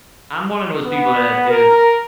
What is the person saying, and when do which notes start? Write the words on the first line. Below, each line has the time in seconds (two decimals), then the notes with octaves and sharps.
I'm one of those people that is,
0.85 B3
1.49 A#4